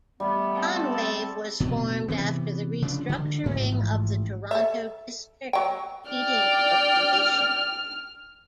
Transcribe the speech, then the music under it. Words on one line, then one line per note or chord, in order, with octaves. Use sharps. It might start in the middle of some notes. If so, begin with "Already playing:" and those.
Enwave was formed after the restructuring of the Toronto District Heating Corporation.
G3 A3 B3
C4 A4 A5
D2 B2
C3 E3 B3
C#3 F3 D4
D3
A1 G#2 F3
A4 E5
F#3 G5
D5 G5 F6